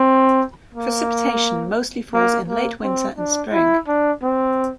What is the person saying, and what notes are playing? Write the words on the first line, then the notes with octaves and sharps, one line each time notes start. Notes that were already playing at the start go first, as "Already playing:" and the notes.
Precipitation mostly falls in late winter and spring.
Already playing: C4
A#3
A#3
A#3
C4
D4
E4
D4
C4